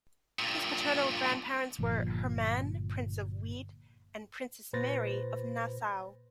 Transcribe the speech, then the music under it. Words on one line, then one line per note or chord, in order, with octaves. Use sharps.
His paternal grandparents were Hermann, Prince of Wied, and Princess Marie of Nassau.
G2 A#2
G1 A#2 F3
A#2 B4 C5 A6 A#6